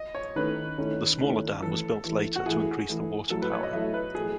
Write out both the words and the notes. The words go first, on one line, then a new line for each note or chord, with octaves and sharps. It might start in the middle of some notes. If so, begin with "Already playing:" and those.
The smaller dam was built later to increase the water power.
Already playing: D#5
C#5
D#3 A3 C#4 E4 B4
D#3 A3 C#4 E4
D#3 A3 C#4 E4
E3 A3 E4 A4
E3 A3 E4
F#4
E3 A3 E4 G#4
E3 A3 E4
F#3 A3 E4 A4
B4
C#5
D#5
F#3 A3 E4 E5
B4
F#3 A3 E4 G#4